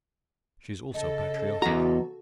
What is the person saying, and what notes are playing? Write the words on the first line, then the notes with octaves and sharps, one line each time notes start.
She is also patriotic.
C#3 A4 D#5
E2 F#4 A#5